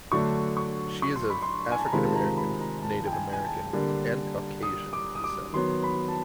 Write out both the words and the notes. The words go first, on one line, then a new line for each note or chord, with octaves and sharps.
She is of African American, Native American, and Caucasian descent.
D3 F#3 A3 D4 C#6
C#6
C#6
C6
B5
C6
G#5
A5
A#5
C3 D#3 G#3 C4 F4 B5
A5
A#5
B5
A#5
A5
G5
G#5
G#5
A5
D3 G3 A#3
D#6
D6
D#6
D6
D#3 F#3 B3 C6
B5
A5